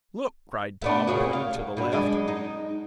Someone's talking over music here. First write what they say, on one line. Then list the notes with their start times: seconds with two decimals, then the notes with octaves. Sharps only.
"Look!" cried Tom, pointing to the left.
0.82 A3 B3 D4
1.07 A#2 C#3 F#4
1.33 F5
1.77 G2 B2
1.92 F#2 G#3 D4
2.28 D#4